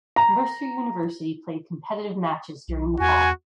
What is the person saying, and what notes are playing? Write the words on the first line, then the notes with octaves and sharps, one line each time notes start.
Mercer University played competitive matches during the fall.
A#5
B1
E2 F#4 G#5